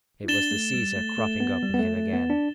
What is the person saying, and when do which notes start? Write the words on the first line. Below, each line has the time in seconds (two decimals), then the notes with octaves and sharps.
It was the Caesar cropping up in him again.
0.24 E4
0.28 D4 A6 E7 G7
0.51 A3
0.74 G3
0.96 A3
1.18 A3
1.40 B3
1.63 G3
1.74 B3
1.79 A3
1.97 A3
2.13 B3
2.30 D4